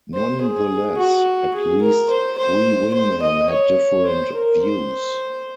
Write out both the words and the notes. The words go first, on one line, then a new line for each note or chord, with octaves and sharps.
Nonetheless, at least three wingmen had different views.
C5
G#4
F#4
G#4
A#4
C5
C5
C5
D#5
C#5
C5
A#4
C5